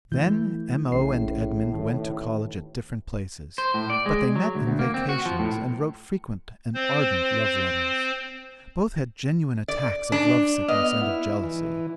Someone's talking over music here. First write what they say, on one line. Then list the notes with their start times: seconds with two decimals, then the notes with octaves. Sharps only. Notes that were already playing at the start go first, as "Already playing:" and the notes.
Then M.O. and Edmund went to college at different places, but they met in vacations and wrote frequent and ardent love-letters. Both had genuine attacks of love-sickness and of jealousy.
0.12 E3 A3 G6
0.92 A#1 A2 C#3 C7
1.74 A1 D#3
3.58 C5
3.74 A2
3.90 D5
4.06 G#3
4.36 F#3
4.55 D2
4.67 D2
4.79 A#3
4.94 C4
5.09 F#4
5.25 F3
5.39 A2
6.74 C4 C5
9.68 D5
10.12 D4
10.68 B3 D#5 F6
11.01 E4
11.44 E3